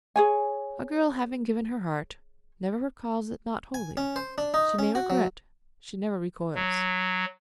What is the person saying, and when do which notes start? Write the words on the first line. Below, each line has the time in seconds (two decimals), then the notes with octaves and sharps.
A girl, having given her heart, never recalls it not wholly: she may regret; she never recoils.
0.16 G#4 C#5 G#5
3.74 G#5
3.97 C#4
4.16 C5
4.38 D4
4.54 D#4
4.79 C#4
4.95 F#4
5.10 F#3
6.55 F#3